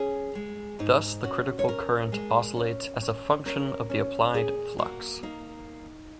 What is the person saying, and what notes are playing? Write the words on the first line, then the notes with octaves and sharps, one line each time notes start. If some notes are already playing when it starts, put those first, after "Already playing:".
Thus the critical current oscillates as a function of the applied flux.
Already playing: C#4 G#4
G#3
G#2 D#4
C#4 F#4
C#5
C#4 A#4
G#3
C#4
C#4
C#4 A#4
C#4
A#2 G#4
A#3 F#4
A#3 D#4